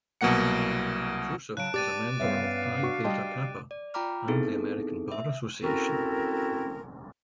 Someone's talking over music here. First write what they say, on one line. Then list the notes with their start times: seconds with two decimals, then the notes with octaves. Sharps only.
Joseph is a member of Phi Beta Kappa and the American Bar Association.
0.21 C2 B2 F#3 A#3 F#5 C#7
1.57 C#3 F#3 A5 F#6 D7
1.74 G4 D5 D6 A6 D#7
2.20 G2 B3 C#4 E5 F5
2.82 D4 F#4 C#6
3.04 G3 D#5 G5 A5 C6
3.71 D5
3.94 F4 G5 A#5 B5 D6 F6
4.28 B3 C4 D#4 E4 G#4 A4
5.12 E5
5.63 C4 C#4 E4 F#4 A4 A#4